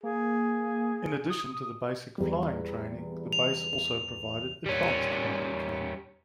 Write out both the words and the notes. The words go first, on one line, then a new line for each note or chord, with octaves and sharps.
In addition to the basic flying training, the base also provided advanced pilot training.
A#3 G#4
D#6
E2 G3
F7
G3 C#4